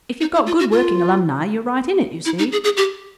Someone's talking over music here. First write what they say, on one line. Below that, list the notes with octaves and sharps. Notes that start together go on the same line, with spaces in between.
If you've got good working alumni, you're right in it, you see.
D#4
E4
F4
F#4
F4
E4
D#4
G#4
G#4
G4